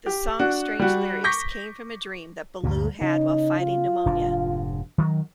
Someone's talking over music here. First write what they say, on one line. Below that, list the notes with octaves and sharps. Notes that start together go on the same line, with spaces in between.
The song's strange lyrics came from a dream that Ballew had while fighting pneumonia.
G4
D4 F#4
G3 F#4
C#6 D6 G6 A#6 B6
D2 G2 A#2
C#3 D#4
F4
F1 G#2 D4
D#3 F#3